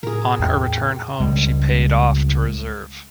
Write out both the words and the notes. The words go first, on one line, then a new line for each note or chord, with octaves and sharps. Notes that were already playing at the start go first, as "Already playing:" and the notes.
On her return home she paid off to reserve.
A2 G#4 A#4
E2 G5
C#2 G3 G#3